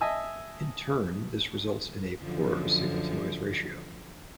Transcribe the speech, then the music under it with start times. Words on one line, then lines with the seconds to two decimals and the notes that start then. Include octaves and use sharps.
In turn, this results in a poorer signal to noise ratio.
0.01 D#5 E5 G#5 A5 E6
2.20 F#2 D3 F3